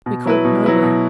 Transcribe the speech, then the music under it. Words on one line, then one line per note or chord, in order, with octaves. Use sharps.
'We called nowhere.
B2
F#3 E4 B4
B2
F#3 E4 B4
B2